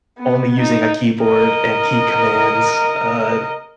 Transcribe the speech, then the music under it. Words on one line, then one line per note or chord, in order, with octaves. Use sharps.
only using a keyboard, and key commands, uh,
B3
D#4
A#4 D#5